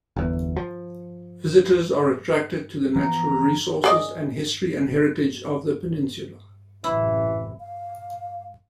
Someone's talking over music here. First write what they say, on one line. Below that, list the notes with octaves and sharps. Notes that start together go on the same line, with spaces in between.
Visitors are attracted to the natural resources, and history and heritage of the peninsula.
G1 E2
F3
E3 F3 B3 A#5
G#4 D5 D#5
A1 F#2 C3 E3 E4
F5